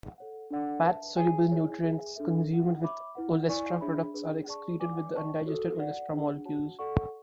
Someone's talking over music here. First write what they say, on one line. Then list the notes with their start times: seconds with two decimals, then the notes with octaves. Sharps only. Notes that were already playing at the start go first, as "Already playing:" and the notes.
Fat-soluble nutrients consumed with olestra products are excreted with the undigested olestra molecules.
0.18 A4 C#5 F#5
0.50 D4 A4 D5 F#5
0.83 B4 E5 A5
1.17 G#4 C#5 G#5
1.50 E4 G#4 C#5 G#5
1.83 G#4 B4 E5 G#5
2.16 D4 A4 E5
2.49 E4 B4 F#5
2.82 C#5 E5 B5 D6
3.15 E4 B4 F#5
3.48 E4 B4 D5 G#5 C#6
3.81 D4 G#4 C#5 E5 B5
4.14 D4 G#4 B4
4.47 G#4 D5 A5 C#6
4.80 B4 D5 G#5 D6
5.14 B4 D5 A5 C#6
5.46 F#4 A4 C#5
5.79 B4 D5 F#5
6.13 D4 G#4 B4 F#5
6.45 F#4 C#5 F#5 A5
6.79 A4 D5 F#5 C#6